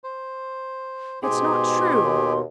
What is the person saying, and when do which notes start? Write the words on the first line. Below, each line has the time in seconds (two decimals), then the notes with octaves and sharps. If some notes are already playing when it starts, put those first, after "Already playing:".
"It's not true!"
0.04 C5
1.23 G#2 B2 G4 G#4 C6
2.04 D#2